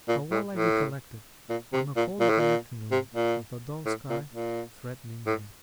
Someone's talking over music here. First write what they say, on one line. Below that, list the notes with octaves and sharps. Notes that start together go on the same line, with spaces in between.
How well I recollect it, on a cold grey afternoon, with a dull sky, threatening rain!
A#2
A2
A2
A#2
C3
A#2
A#2
A2
A#2
C3
A#2
A2
A#2
A#2
A2